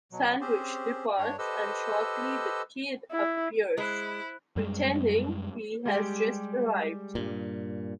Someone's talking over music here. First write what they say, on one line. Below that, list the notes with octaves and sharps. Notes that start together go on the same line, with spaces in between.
Sandridge departs and shortly the Kid appears, pretending he has just arrived.
B2 F#3
C4 C#4 G4 G#4 C5
G2 D4 C#5
G4 A4 B4 C5 D#5 E6
E4
G#3 E4 C5 B5 F#6
F#2 G3 G#3
G3 G#3 G4
G2 A#2